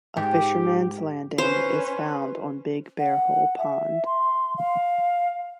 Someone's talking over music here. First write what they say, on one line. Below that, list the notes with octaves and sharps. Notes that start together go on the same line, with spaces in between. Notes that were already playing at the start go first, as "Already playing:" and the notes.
A fisherman's landing is found on Big Bearhole Pond.
G#2 G4
C#4 B4 C5
F#5
E5
C6
F5